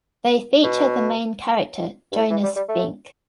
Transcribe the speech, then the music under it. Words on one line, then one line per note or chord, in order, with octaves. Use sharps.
They feature the main character Jonas Fink.
B2
G2
A2
E3
G3
G3
A3